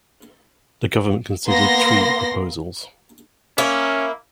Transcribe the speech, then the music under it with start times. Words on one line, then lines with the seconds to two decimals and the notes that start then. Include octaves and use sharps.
The government considered three proposals.
1.47 A#3 B3 C6 A#6
3.58 A#3 C#4 E4